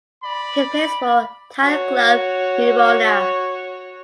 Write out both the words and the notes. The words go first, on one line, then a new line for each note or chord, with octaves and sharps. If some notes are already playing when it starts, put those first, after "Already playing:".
He plays for Italian club Verona.
D5 B5
F#4 C#5